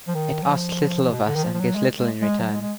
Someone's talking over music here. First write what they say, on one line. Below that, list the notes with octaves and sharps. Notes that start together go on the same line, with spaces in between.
It asks little of us, and gives little in return.
F3
D#3
F#3
F3
B2
D3
D#3
F3
F3
F#3
G#3
G#3
G#3
F#3
G#3
G#3